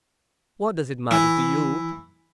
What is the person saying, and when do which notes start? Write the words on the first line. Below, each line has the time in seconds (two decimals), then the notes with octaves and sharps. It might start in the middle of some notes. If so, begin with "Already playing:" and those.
"What does it matter to you?"
1.11 E3